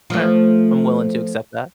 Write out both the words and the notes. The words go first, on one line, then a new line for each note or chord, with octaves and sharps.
Alright. I'm willing to accept that.
F3 A3